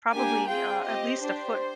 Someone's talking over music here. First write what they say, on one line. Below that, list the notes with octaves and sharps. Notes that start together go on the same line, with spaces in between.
probably, uh, at least a foot
A#3 D4 G4 G#5
C4 F4 G#4 G5
C4 G4 D#5
D4 G4 C5